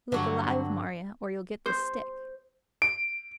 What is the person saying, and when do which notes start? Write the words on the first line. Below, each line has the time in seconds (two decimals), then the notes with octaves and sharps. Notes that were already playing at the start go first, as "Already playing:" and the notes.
"Look alive, Marya, or you'll get the stick!"
0.12 G2 D3 F#3
1.66 C5
2.82 D7